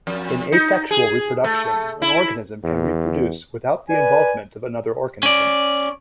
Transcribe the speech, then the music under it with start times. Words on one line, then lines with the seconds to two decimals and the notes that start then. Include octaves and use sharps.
In asexual reproduction, an organism can reproduce without the involvement of another organism.
0.07 F2
0.52 D#4
0.91 G#4
1.44 A3
2.02 E4
2.64 E2
3.89 B4 D5 G#5
5.23 C#4 D5